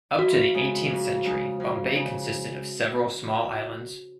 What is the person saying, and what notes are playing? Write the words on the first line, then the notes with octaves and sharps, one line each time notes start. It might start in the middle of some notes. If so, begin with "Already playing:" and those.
Up to the eighteenth century, Bombay consisted of several small islands.
F2 F#4
C#3 G#3 D#4
F2
C#3 G#3 D#4
F2
C#3 G#3 D#4